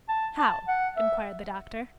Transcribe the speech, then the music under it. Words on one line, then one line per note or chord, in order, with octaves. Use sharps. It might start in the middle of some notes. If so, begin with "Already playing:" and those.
'How?' inquired the doctor.
A5
A5
F#5
E5